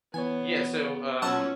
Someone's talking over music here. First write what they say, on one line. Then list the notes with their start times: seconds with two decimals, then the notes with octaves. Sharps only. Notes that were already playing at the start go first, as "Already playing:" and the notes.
Yeah, so, um,
0.14 E3 B3 C#5 G#5
1.22 F#3 C#4 F#5 A5 E6